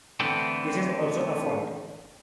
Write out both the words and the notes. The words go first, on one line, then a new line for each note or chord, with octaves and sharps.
This is also a "fault".
D3 E3 A3 B3 C4 D4